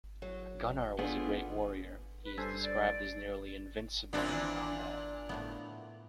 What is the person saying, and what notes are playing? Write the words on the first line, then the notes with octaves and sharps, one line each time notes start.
Gunnar was a great warrior - he is described as nearly invincible in combat.
F#3
D3 B3 F4 G#4
B4
G2 A4 C5 G#5
D5
A#2 B3 C4 D4 E4
E3 B4
A2 A3 B3